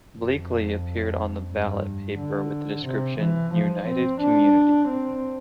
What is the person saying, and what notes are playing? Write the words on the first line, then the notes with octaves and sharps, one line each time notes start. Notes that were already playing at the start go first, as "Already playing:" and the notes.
Bleakley appeared on the ballot paper with the description 'United Community'.
F2
G2
D3
C3
E3
F3
C4
D4
C4